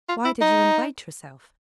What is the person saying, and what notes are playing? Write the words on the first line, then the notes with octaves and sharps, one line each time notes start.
"Why did you invite yourself?"
F4
E4
D#4